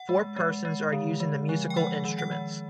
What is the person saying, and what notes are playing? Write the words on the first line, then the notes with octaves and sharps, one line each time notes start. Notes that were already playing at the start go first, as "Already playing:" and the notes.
Four persons are using the musical instruments.
Already playing: F#5
G#3
G#3
G#3
D3
G#3
F3
G5
G#3 F#5
D#3
F#5
G#3